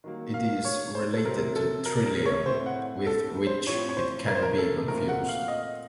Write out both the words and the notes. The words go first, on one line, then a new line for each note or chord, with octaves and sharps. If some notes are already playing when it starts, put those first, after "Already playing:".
It is related to "Trillium", with which it can be confused.
D#3 F#3 A#3
F5
C#5
C5
A4
C3 F#3 C4 A#4
A4
A#4
A#4
C#5
A2 A3 C4 C5
F#5
A4
C5
A2 F3 C4 C#5
C#5
C5
A#4
C5
A#4
A4
A#2 A3 C4 A#4
F#5
F5
D#5